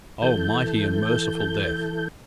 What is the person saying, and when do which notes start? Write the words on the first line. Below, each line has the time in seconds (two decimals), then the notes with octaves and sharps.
Oh, mighty and merciful Death!
0.22 E3 A4 G6